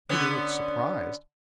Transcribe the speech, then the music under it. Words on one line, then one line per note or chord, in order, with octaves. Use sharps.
Peter looked surprised.
D3 B3 C#4